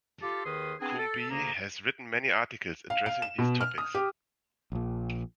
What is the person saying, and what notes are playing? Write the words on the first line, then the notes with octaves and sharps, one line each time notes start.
Coombe has written many articles addressing these topics.
F4 G4 A4
D#2 D#3 G#4 B4 C6 D#6
B3 C4 D4 G#4
A4
D2 C#3 A#3 A#5
F5
F5
E7
B2
F6
D#6
G4
A#1 A#2